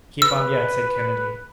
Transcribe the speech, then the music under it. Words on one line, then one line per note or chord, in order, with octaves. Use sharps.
"Keep on yet," said Kennedy.
B4 E6